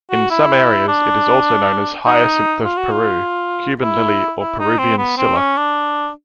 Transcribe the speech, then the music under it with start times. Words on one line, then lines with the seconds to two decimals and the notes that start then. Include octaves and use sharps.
In some areas it is also known as hyacinth-of-Peru, Cuban-lily, or Peruvian scilla.
0.11 F#4
0.30 E4
0.88 D4
2.06 D#4
2.64 F4
2.77 F#4
2.92 F4
3.81 E4
4.39 E4
4.59 D#4
4.79 C4
4.98 B3
5.17 C4
5.37 C#4
5.57 D4